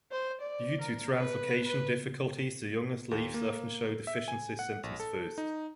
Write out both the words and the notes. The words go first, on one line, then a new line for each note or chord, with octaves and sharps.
Due to translocation difficulties the youngest leaves often show deficiency symptoms first.
C5
D5
A#4
B4
B4
D#2
A#3
E5
G#5
F#5
A#1
A4
D#4